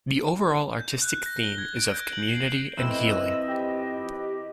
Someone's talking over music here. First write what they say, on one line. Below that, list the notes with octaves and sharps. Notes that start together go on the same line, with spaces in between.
The overall artistic theme is of community and healing.
G6
F#6
A#6
G7
G#6
D7
G6
F#7
C7
F2 C4 E4 B4 C5 D#5 E6
G4